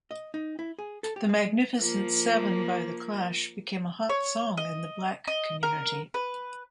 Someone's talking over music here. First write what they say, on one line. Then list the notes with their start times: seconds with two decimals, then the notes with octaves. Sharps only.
"The Magnificent Seven" by the Clash became a hot song in the Black Community.
0.11 D#5
0.34 D#4
0.59 E4
0.79 G#4
1.03 A4
1.16 G4
1.29 G#3
1.79 F3 A#3
4.09 C#5
4.57 D#5
5.27 D#5
5.63 A#4
6.14 B4